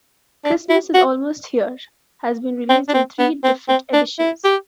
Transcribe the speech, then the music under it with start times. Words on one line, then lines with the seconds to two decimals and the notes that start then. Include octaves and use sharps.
"Christmas Is Almost Here" has been released in three different editions.
0.45 D4
0.69 E4
0.94 F#4
2.69 C4
2.89 D4
2.94 C4
3.19 B3
3.44 C4
3.69 C4
3.93 D4
4.19 E4
4.44 G4